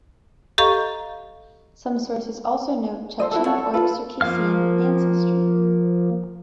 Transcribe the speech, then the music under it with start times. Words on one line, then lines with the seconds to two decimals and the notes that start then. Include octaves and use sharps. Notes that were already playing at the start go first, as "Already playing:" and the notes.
Some sources also note Chechen or Circassian ancestry.
0.58 G4 A4 D#5 F5 A#5 C#6
3.20 A4 C5 D#5
3.31 E4 F#4 G#4 A4
3.45 A4 C#5 F#5 A5
3.58 A4
3.74 F4 A4 B4
4.21 F3 A#3 F5 F6